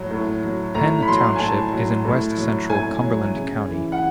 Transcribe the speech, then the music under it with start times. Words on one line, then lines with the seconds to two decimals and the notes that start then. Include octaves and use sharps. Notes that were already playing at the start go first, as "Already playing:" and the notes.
Penn Township is in west-central Cumberland County.
Already playing: A2 F#3
0.11 A2
0.43 F#3
0.75 A2 A#5
1.02 B5
1.08 F#3 C6
1.36 G#5
1.40 A2 A5
1.73 F#3
2.05 A2
2.37 F#3
2.70 A2 G#5
3.02 F#3
3.34 C#3
3.67 E3
3.92 F#5